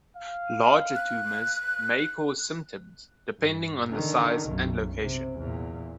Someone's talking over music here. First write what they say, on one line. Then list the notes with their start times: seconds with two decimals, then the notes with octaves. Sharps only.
Larger tumors may cause symptoms, depending on the size and location.
0.16 F5
0.95 F#6
3.37 G2
3.91 D3 D#3
4.48 B1 F#2
5.02 C3
5.39 E2 A#2